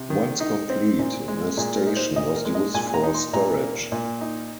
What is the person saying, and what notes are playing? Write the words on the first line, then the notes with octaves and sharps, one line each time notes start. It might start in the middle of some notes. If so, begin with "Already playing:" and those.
Once complete, the station was used for storage.
Already playing: C3
D#3
D#4
C4
A#2
G#3
A#2 G#4
A#4
D#4
C5
A#2 D#5
A#4
G#3
D#5
A#2 G#5
A#5
D#4
C6
A#2 A#5
A#3
A#2
D#4